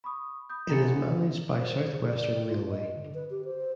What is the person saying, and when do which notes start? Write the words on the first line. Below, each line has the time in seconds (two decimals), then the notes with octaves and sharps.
It is managed by South Western Railway.
0.04 B5 C#6 D#6
0.50 B5 D#6 G6
0.69 B2 D3 E3 A#5 A6 C#7
1.60 C5
1.93 G#4
2.06 D5
2.47 F4
2.70 D#5
2.96 D3
3.14 B4
3.30 G4
3.45 C5